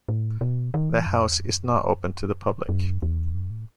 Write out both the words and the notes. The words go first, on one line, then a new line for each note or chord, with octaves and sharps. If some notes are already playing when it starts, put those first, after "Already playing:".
The house is not open to the public.
A2
B2
D#3
E3
F#2
E2
F#2
F#2
E2
F#2
A2